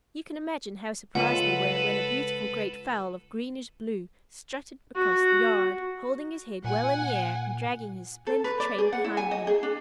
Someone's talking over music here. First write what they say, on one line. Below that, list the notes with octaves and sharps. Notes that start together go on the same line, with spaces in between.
You can imagine how surprised they were when a beautiful great fowl of greenish-blue strutted across the yard, holding his head well in the air and dragging his splendid train behind him.
C#2 F4 A4 B4 F#5
F#4
A#2 F#5 G#5
A4
B4
D5
G#4
F#5
E4
G#5
D#5
G#4
D4